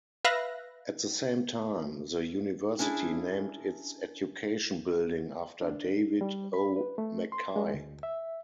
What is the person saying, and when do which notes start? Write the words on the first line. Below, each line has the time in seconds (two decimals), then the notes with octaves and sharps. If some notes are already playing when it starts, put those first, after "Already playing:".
At the same time, the university named its education building after David O. McKay.
0.25 B4 E5 F5 F#6 A#6
2.79 C#4 D4 E4 G#4
5.61 D4
6.21 G3
6.54 B5
6.76 B4
6.98 A3
7.32 C6
7.56 G#3
7.74 D2
8.03 E5